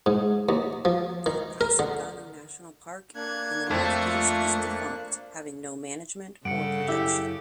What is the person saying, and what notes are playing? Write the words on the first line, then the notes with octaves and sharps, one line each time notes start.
The Isangano National Park in the north-east is defunct, having no management or protection.
G#2
D#2
F3
D#3
A#4
D3
A#3 D4 F#6 G#6
F2 A3 F4 C#6
G2 C#3 A4 F#5 C#7 D7
F#2 E4 G4 E5 E6